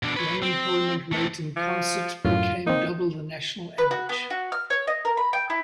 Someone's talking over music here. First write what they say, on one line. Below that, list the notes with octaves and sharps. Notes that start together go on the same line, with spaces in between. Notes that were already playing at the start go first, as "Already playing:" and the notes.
The unemployment rate in Consett became double the national average.
B2 D4
B4 C#5
C4
A3 C4
F3
F#2 A2 F4
A#3 C4 D#4
B4
F#4
B3
F#4
F6
C#5
D#5
A#4
B5
G5
E4